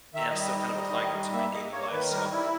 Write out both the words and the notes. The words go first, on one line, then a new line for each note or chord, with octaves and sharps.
and I'm still kind of applying them to my daily life, so,
D#3 E5
G3 D#5
D#5
D#3 D#5
G3
D#3
G3
A#3 E5
A#3 D#5
A#3 C#5
D#3 B4
G3 A#4
G3 E4